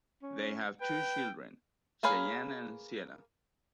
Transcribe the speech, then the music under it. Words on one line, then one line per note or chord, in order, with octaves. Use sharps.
They have two children Shayne and Sienna.
C#4
B4 G5
A#3 G#4 B4 C#5 F5